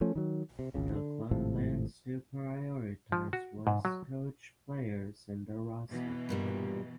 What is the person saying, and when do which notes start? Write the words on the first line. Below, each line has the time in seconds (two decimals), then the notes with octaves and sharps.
The club plans to prioritize West coach players in their roster.
0.01 F3 A3 C#4
0.16 D#3 F#3
0.59 C3
0.74 G#1 C#2 C#3
0.96 D3
1.31 G#1 A2 C3 F3
3.12 F3
3.33 F#4
3.67 G#2
3.85 F#3
5.90 B2 E3
6.29 G2 A#2 G3